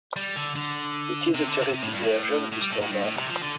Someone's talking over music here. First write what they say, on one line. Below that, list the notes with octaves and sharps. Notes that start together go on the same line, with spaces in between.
It is a turreted version of the Stormer.
G3
D3
D3
C3
D3
C3
C3
A2
G2
A2
A2
G3
A2
A2
G2
A2
C3
D3
F3
D3